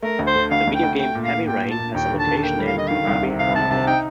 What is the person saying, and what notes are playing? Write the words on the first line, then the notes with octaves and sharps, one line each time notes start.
The video game "Heavy Rain" has a location named Carnaby Corner North.
A3 A#4
D2
C5
D3
D2 F5
D2
G5
D2
A3 G5
A#2
F5
A#2
A#2 G5
A#2
A5
A#2
D#2 G5
D3
A5
D3
A5
A#3 G5
G3
F5
D3 D#5
D#3 F5
C2
C3
C3 F5
C3 A5
C3 A5
D#4 G5